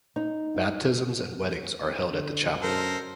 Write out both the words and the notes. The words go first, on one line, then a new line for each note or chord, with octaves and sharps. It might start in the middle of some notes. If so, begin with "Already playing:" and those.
Baptisms and weddings are held at the chapel.
D#4
D3
F#2 A4 A#4 C5